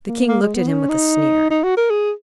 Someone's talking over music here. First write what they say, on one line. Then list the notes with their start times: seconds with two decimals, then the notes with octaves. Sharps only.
The King looked at him with a sneer.
0.08 A#3
0.28 A#3
0.42 G#3
0.55 B3
0.69 C#4
0.89 D#4
1.51 D#4
1.64 F#4
1.77 A#4
1.90 G#4